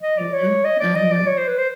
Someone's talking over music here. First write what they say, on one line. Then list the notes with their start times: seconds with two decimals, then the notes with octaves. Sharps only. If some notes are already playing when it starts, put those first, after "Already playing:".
Mhm. Mhm.
0.02 D#5
0.18 D5
0.33 C#5
0.65 D#5
0.80 D5
0.96 D#5
1.11 D5
1.27 C#5
1.37 C5
1.48 B4
1.58 C5